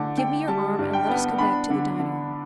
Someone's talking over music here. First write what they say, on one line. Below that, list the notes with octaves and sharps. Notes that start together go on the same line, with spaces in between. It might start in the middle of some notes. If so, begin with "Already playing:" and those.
Give me your arm and let us go back to the dining-room.
Already playing: D3 A3 A5
D3 G5
G3 A5
G2
G5
B3
D4 B5
D3
D3